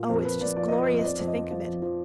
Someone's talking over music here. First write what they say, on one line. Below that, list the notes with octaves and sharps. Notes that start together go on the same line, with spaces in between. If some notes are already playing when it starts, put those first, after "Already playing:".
Oh, it's just glorious to think of it.
Already playing: A#2
F2 A#4
F2 B4
F2 D5
F3 D5
F3 D#5
B4
F2
D#5
F2 D5
F2
D#5
F3
F3
F2
F3